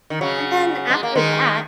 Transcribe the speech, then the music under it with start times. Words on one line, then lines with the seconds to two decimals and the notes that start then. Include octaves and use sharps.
And then, after that
0.10 D#3
0.21 C#3 F#3
0.90 G#3
1.03 A#3
1.16 D#3 G#3